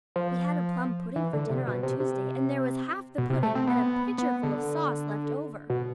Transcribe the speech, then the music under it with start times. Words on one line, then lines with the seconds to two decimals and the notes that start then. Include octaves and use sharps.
We had a plum pudding for dinner on Tuesday and there was half the pudding and a pitcherful of sauce left over.
0.16 F3
1.16 E3
1.33 D3
1.50 C3
1.67 B2
1.83 C3
2.00 C3
3.18 B2
3.30 C3
3.43 A3
3.55 C4
3.67 B3
4.18 B3
4.43 D3
5.70 B2